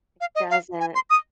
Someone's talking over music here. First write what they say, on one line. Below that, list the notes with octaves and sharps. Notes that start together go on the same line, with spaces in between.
It doesn't.
F5
D#5
F5
G#5
C6
D#6